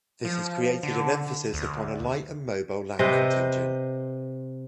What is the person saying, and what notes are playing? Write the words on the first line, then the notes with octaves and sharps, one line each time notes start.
This has created an emphasis upon a light and mobile land contingent.
F3
D3
D2
C3 B4 C5 D#5